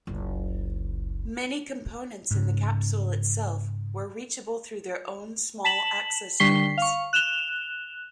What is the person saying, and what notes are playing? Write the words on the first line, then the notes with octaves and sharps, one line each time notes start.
Many components in the capsule itself were reachable through their own small access doors.
F#1 C#2
G#2 C#3
A5 B6 E7 F#7
D3 G3 C#6 B6 C7 G7
F5 C#6
F#6 E7 F7 G7